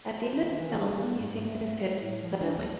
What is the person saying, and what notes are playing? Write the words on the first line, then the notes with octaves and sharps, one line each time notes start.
At the end of the film, he sings his hit Suddenly.
C5
D#3
E3
G#4
B3
G#2
A3
A2
F3
D4
D2